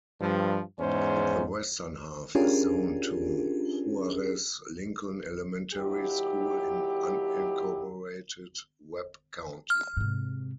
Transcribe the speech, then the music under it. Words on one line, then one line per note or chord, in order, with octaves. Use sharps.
The western half is zoned to Juarez-Lincoln Elementary School in unincorporated Webb County.
G2 F3
E2 G#2 C#4 C5
C#4 D4 F4 G4 G#4 A#4
D#2 F#3 E4 G4
F6
G#2 C3